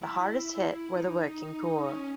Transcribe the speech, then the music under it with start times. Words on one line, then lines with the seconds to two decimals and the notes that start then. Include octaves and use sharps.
The hardest hit were the working poor.
0.02 E4
0.94 D#4
1.87 C#4